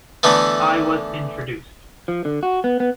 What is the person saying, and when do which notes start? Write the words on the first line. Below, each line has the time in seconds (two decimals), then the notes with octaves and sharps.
I was introduced.
0.23 D3 E3 A3 B3
2.08 F3
2.25 D3
2.43 F#4
2.64 B3
2.80 B3